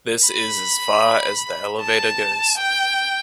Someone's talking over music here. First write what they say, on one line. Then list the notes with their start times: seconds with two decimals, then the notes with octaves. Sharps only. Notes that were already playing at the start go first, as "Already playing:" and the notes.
This is as far as the elevator goes.
0.27 B5
1.80 A5
2.57 G5